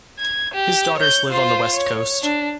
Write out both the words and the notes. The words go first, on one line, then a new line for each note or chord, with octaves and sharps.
His daughters live on the West Coast.
G#6
G4
C#5 G6
F4 C5
C#5
D4